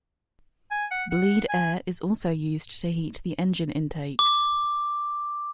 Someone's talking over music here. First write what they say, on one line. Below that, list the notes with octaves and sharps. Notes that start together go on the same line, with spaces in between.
Bleed air is also used to heat the engine intakes.
G#5
F#5
F#5
G#5
D6